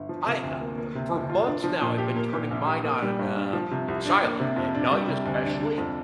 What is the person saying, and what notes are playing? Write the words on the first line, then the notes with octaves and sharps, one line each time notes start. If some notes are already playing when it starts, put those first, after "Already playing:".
I, uh uh, for months now, I've been turning mine on, uh, silent, at night especially,
Already playing: G1
F3
C3
D2
A#3
A#3
C3
F2
F4
D4
F3
A#2
G4
A#3
A#2
A#1
G4
A#3
G3
G2
D4
F3
C3
C2
D4
A#3
C3
F2
D4
G3
C3
D2
D4
D3
F2